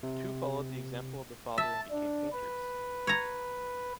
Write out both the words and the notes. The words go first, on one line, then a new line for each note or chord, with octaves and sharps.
Two followed the example of the father and became painters.
C3
E5 A5
D4
B4
C#5 A#5